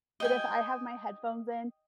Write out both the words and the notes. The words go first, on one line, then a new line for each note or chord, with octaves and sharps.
that if I have my headphones in,
D#5 G5 G#5